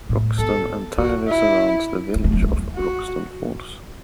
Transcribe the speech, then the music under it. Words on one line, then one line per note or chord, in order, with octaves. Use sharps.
Roxton entirely surrounds the village of Roxton Falls.
A2
B3 A4
D4 F#4
E4
B3
A3
F#3
A3
F#4